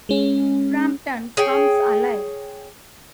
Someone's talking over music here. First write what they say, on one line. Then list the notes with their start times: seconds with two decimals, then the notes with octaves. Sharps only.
Frampton Comes Alive!
0.09 G#3 C#4
1.37 G#4 C#5 G5